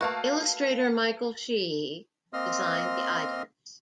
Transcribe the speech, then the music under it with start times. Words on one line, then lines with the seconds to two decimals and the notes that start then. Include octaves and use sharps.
Illustrator Michael Sheehy designed the idents.
0.01 A3 A#3 F#4 B4 F5 A5
2.33 A#3 C4 D#5 C6 D#6 F6